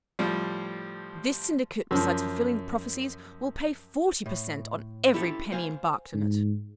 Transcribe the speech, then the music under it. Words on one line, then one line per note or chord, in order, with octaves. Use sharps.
This syndicate, besides fulfilling the prophecies, will pay forty per cent on every penny embarked in it.'
A2 F3 G3
F#2 F3
A2
E4 G4 A4
C5 F5 G#5
G#2